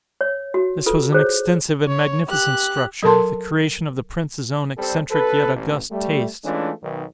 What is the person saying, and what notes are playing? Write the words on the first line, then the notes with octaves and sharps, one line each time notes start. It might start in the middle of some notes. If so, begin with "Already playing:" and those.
This was an extensive and magnificent structure, the creation of the prince's own eccentric yet august taste.
C#5
F#4
F4 A4 B4
G#4 C5 C#5
C#5
G4 F#6
F#3 A4 A#4 A5 C6
G3 C4 A4
B1 A4 B4
A1
G3 A3
E3 G#3 A3 C#4 D4 F4
B1 D#3